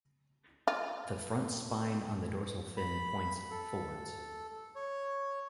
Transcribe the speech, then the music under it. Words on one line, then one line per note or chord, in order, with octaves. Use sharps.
The front spine on the dorsal fin points forwards.
F4
B5
A4
C#5